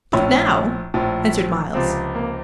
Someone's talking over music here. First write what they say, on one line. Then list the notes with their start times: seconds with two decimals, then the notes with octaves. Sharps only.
"Not now," answered Myles.
0.13 A#1 A2 F3 C#4
0.94 A#1 A2 F3
1.74 C#2 C3 F3 C4
2.15 A#3